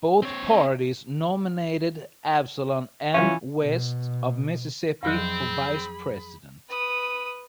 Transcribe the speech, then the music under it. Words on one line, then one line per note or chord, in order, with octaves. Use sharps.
Both parties nominated Absolom M. West of Mississippi for Vice President.
C4 C#5
E3 C#4 F4 E5
B2
F2 F3 F#3 C4 G#4 B5
B4 D#6